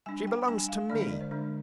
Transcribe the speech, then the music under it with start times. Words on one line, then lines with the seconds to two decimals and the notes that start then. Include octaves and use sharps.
She belongs to me.
0.06 G3 D4 G#5
0.27 G5
0.48 G3 D4 G#5
0.58 G#5
0.69 F5
0.90 D3 G#3 D4 D5
1.01 D#5
1.11 D5
1.21 C5
1.31 D3 G#3 D4